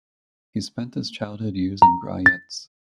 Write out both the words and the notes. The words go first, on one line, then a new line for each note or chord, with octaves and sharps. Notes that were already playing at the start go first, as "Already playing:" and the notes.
He spent his childhood years in Grojec.
A#5
A6